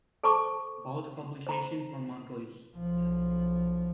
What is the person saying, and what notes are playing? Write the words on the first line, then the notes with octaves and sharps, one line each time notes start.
Both publications were monthlies.
A4 C5 A5 B5 C#6 D6
C5 A#5 B5
B1 F3